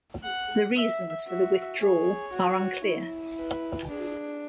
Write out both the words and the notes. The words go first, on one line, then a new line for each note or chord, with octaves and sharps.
The reasons for the withdrawal are unclear.
F#5
E5
F#4 E5
G#4 C#5
F#4
E4
B4
D4 G#4